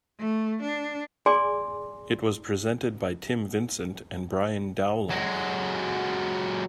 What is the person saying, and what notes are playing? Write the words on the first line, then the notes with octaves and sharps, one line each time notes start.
It was presented by Tim Vincent and Brian Dowling.
A3
D4
G#4 D5 G#5 C6 D6
F#3 G#3